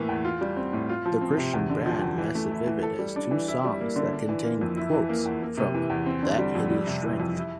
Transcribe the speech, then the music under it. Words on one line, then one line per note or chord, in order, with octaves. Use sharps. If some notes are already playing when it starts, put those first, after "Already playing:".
The Christian band Massivivid has two songs that contain quotes from "That Hideous Strength".
Already playing: A2 E3 A#3 E4
E2
F4
G3
C4
A2
F4
F3
C4
C3
E2
D3
F3
E2
E3
A3
E4
E3
A4
G3
D4
E3
E4
G3
A#3
D3
D4
E3
A#3
F2
E4
E3
A#3
E2
A#3
C3
E3
E2
C4
D3
G3
F2
G3
C3
E3
F2
E4